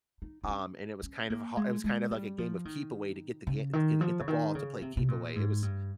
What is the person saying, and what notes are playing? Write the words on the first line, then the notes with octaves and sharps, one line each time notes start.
um, and it was kind of ha it was kind of like a game of keep away to get the ga to get the get the ball to play keep away. It was
D#4
D#4
C#4
C#4
A#3
G#3
G#3
G3
F3
D#3
C#3
D#3
F3
C#3
D#3
C#3
C3
C3
A#2
G#2
G2